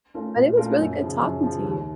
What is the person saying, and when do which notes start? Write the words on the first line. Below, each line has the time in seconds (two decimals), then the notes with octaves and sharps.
But it was really good talking to you.
0.14 A3 C#4 F4 A#4
0.36 A#2
0.57 A3 C#4 F4 A#4
0.79 F#2
1.01 C#3 F3
1.22 F#2
1.43 C#3 F3
1.64 D#2